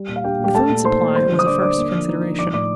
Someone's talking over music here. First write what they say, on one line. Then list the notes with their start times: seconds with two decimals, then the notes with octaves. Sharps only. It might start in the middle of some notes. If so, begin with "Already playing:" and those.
The food supply was a first consideration.
Already playing: G3
0.09 A#2
0.16 F5
0.24 D4 G4 G5
0.39 A#2
0.44 G4 G5
0.55 A3 A4 A5
0.69 A#2
0.85 D#4 C5 C6
1.01 A#2
1.16 G3 C5 C6
1.32 D3
1.39 D#6
1.46 D4 D5 D6
1.62 D3 D5 D6
1.77 A#3
1.93 F3
2.08 D#4
2.23 F3
2.39 F3 D5 D6
2.54 A2 D5 D6